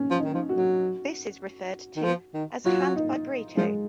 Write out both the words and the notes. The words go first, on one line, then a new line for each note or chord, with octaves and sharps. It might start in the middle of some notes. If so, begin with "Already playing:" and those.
This is referred to as hand vibrato.
Already playing: C#4
F3
D#4
D#3
F3
F#4
F#3
D#3
F3
D#3
F#3 F4
D#4
F3 G#3